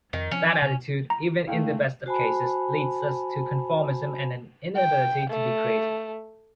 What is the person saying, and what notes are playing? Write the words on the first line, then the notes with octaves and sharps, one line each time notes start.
That attitude, even in the best of cases, leads us to conformism and an inability to be creative.
F2 D#3
F3 C#4
C3
A#5
G#3 A3 E4 F5 G5
F#4 C5 G#5 A5 B5
G5
A3